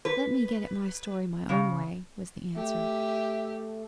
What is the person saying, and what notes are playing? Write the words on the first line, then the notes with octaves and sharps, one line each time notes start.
'Let me get at my story my own way,'was the answer.
B4
C#3
A3 G4 E5